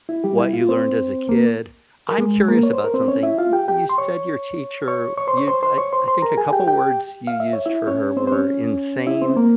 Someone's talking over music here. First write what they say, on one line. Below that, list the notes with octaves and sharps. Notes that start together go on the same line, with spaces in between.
what you learned as a kid. I'm curious about something. Y you said your teacher you I I think a couple words you used for her were insane,
E4
G3 G4
E4
F4
C4 C5
A#3 A#4
A#4
G#3 G#4
A#3 A#4
C#5
C5
A#4
C4 C5
C#4 C#5
E4 E5
F4 F5
G4 G5
G4 G5
C6
C#5 C#6
C#5 C#6
C#5 C#6
C5 C6
C#5 C#6
C5 C6
C5 C6
C#5 C#6
C5 C6
C5 C6
A#4 A#5
G#4 G#5
G4 G5
G4 G5
F5
E5
C#5
E4 E5
C#4 C#5
C4 C5
C5
C#4 C#5
E4 E5
C4 C5
A#3 A#4